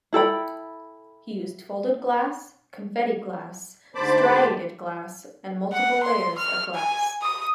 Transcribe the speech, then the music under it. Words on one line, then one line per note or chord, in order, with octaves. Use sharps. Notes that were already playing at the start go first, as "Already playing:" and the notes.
He used folded glass, confetti glass, striated glass, and multiple layers of glass.
E4 A4 G5 B5
D2 G#2 C5 A5 B5 D6
F#5
C6
F6
G#5
D#6